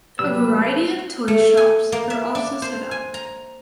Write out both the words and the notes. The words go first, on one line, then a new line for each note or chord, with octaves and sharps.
A variety of toy shops are also set up.
C3 F#3 G3 B4 E6
A3
G#5
A#3
E5
D4
C5
G#5
A#5